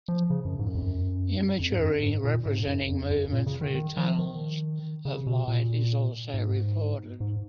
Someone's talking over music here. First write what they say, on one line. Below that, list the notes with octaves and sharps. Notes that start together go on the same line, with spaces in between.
Imagery representing movement through tunnels of light is also reported.
F3
C#3
F#2
G#2
F#2
F2
F#2
F2
G#2
F#2
G#2
A#2
G#2
F#2
F2
F#2
A#2
C#3
D#3
D#3
F3
D#3
C#3
B2
A#2
G#2
G#2